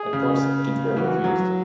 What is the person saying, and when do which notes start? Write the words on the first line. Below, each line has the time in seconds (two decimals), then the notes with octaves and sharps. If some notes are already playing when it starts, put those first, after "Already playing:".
At first, Ginsberg refused.
Already playing: G#4
0.13 C#3
0.96 E3 F#4
1.24 F#3